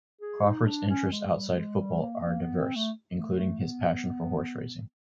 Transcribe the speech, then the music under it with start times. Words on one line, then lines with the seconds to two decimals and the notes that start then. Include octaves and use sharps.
Crawford's interests outside football are diverse, including his passion for horse racing.
0.21 G#4
0.44 D#4
0.66 D4
0.89 C#4
1.11 G#3
1.34 G3
1.57 G#3
1.80 G3
2.01 A#3
2.25 A#3
2.41 B3
2.59 C4
2.76 A3
3.14 A3
3.37 A3
3.60 B3